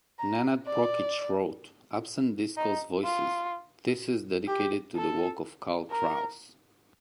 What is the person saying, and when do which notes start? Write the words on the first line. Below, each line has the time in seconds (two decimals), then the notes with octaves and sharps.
Nenad Prokic wrote "Absent Discourse Voices" thesis dedicated to the work of Karl Kraus.
0.19 A#5
0.66 D5
2.57 D#4
3.05 F4
4.48 G4
4.96 A4
5.91 A#4